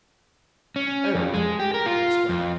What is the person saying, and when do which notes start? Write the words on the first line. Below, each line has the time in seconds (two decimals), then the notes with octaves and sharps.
"Oak," he explained.
0.76 C#4
1.15 F2
1.34 G#3
1.59 G4
1.74 A#4
1.86 F4
2.29 F2